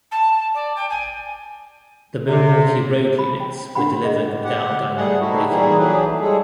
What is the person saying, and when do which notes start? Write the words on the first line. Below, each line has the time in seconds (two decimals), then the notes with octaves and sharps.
The Milwaukee Road units were delivered without Dynamic Braking.
0.11 A5
0.54 D5
0.76 G5
0.90 G#5
2.27 C3
3.19 B5
3.40 G5
3.75 D4 G4 F#5 G5 B5
4.03 G#4 D#5
4.44 G4 F#5
4.97 G3 A3 G#4 F#5
5.21 D#4 E4 F#4 G4 A4
5.50 A#2 E3 G3 D#4 E4 G#4
5.78 E3 F#3 A3 G4 G#4 B4
6.21 G3 G#3 G#4 A4